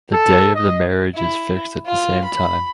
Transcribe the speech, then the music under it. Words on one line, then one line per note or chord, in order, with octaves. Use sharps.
The day of the marriage is fixed at the same time.
A4
D#5
E4
F4
B5